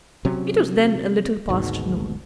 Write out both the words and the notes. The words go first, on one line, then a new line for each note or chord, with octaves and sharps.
It was then a little past noon.
C3 F#3 C#4
G#1 D2 G#2 B2